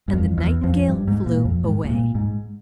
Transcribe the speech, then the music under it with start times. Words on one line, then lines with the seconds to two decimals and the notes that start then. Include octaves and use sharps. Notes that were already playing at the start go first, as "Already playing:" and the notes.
And the Nightingale flew away.
0.08 G2
0.13 F2
0.38 E2
0.64 F2
0.88 G2
1.08 G#2
1.26 A#2
1.45 F2
1.64 G#2
1.85 G#2
1.89 A#2
2.15 G#2